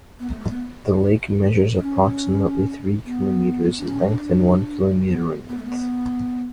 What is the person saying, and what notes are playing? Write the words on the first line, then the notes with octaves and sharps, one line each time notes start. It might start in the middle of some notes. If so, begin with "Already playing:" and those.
The lake measures approximately three kilometres in length and one kilometre in width.
B3
A3
A3
B3
D4
C#4
B3
D4
C#4
D4
B3
B3
A3
B3